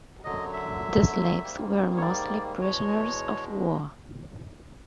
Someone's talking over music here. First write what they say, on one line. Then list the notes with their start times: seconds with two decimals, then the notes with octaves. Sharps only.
The slaves were mostly prisoners of war.
0.24 F#2 D3 F#3 D#5
0.53 E5
1.43 G#2 D#3 G3 A#3
1.97 C#5
2.02 D5
2.61 E2 B2 G#3 C#5